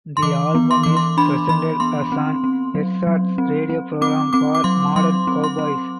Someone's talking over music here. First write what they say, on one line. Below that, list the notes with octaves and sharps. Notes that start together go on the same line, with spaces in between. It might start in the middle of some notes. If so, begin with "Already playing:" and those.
The album is presented as an ersatz radio program for modern cowboys.
C6
E3 D6
B3
C6
E3 D6
C6
D4 B5
E3 B5
B3 C6
C4
C4
F#3
F#3
C4
C4
C4 D6
C4 D6
D6
F#3 C6
F#3 C6
C4
C6
C4